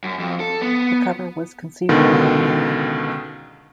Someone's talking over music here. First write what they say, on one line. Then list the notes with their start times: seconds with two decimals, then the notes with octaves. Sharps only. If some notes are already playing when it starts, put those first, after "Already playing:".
The cover was conceived by Eno.
0.04 F#2
0.19 F2
0.40 A4
0.62 B3
1.89 C#2 B2 D3 D#3